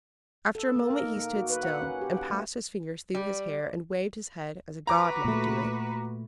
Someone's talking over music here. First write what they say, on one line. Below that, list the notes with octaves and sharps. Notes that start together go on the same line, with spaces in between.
After a moment he stood still, and passed his fingers through his hair and waved his head as a god might do it.
A4
A#3
A#4
D#4
A#3
F#4
B4
F#5
C#4
G4
F#5
A3
G3
F#4 B4 A#5 D6
A#2 A3